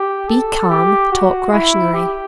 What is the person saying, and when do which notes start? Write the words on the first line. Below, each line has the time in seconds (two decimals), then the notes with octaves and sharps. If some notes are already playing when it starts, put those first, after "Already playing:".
Be calm; talk rationally.
Already playing: G4
0.29 A4
0.70 G4
1.12 F#4
1.52 E4
1.94 G4